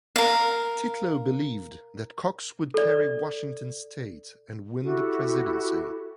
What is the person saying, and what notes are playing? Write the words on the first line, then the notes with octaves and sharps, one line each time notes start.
Titlow believed that Cox would carry Washington state and win the presidency.
A#4 F5
A4 D5
E4 F#4 G4 A4